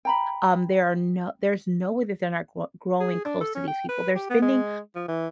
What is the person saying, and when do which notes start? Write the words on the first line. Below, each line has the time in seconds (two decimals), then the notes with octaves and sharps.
um, there are no there's no way that they're not gro growing close to these people. They're spending
0.05 G5 A#5 B5
3.00 G#4
3.25 D4
3.41 A4
3.55 C#4
3.68 G5
3.89 B4
4.15 G4
4.30 B3
4.42 G#3
4.96 F3
5.08 E3